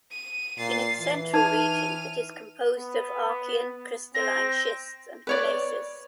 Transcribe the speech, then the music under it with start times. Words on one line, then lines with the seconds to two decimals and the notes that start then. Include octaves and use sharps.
In its central region it is composed of Archean crystalline schists and gneisses.
0.11 D#7
0.58 A#2 A6 C7
0.99 E3
1.33 D#4 A5 F6 G#6 D#7
2.77 B3
4.15 C4 A#6
5.27 B4 C#5 D5